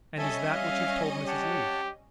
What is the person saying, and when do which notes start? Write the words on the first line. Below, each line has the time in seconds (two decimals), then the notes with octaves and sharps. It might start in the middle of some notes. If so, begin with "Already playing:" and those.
"And is THAT what you've told Mrs. Leath?"
0.18 G3 C#4 A4 D#5 E5 G#5
0.50 F5
1.28 G4 C#5 F#5 A5